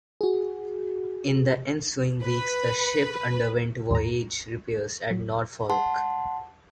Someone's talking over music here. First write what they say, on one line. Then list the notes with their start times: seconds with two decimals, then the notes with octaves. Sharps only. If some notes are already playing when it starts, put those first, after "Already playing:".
In the ensuing weeks, the ship underwent voyage repairs at Norfolk.
0.21 F#4 G#4
2.23 B4
3.91 D#2 G#2 A#5
5.11 F#3
5.70 G#3 F#5 A5 C6